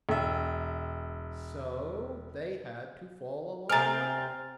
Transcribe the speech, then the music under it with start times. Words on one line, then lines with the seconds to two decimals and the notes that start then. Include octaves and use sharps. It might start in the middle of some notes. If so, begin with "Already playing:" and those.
So they had to fall a long way.
0.09 E1 E5
3.69 C3 C4 A4 G#5 A#5 F6 A6